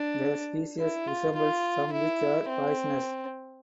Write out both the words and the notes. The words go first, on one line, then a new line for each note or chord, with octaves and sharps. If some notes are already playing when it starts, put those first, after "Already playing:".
The species resembles some which are poisonous.
Already playing: D4
E4
F4
F4
E4
C4